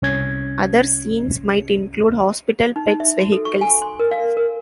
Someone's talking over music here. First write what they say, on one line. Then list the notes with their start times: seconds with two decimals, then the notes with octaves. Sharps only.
Other scenes might include hospital, pets, vehicles.
0.02 C2 C#4 G#6
2.76 D#4
2.87 D#4
3.00 E5
3.19 F#4
3.32 A4
3.45 C#6
3.61 G#5
3.82 C6
3.99 A#4
4.11 F5
4.37 A#4